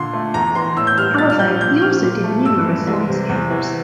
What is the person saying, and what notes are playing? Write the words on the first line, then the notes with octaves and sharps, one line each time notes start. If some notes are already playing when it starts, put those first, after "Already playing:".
However he also did numerous landscapes.
Already playing: A#2 D3 C6
A3
E2 A#5
E3 C6
A2 E6
G6
G3 F6
A#2 A6
F6
F3 G6
A#2 G6
F3 F6
A#2
A3
G2 E6
E3
C2
C3
E2
E3